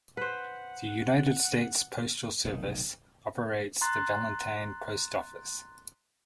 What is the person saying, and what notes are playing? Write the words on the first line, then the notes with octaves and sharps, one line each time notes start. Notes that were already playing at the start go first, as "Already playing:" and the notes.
The United States Postal Service operates the Valentine Post Office.
B4 C5 F#5
F1 B1 D#3
A#5 C6 F#6 A6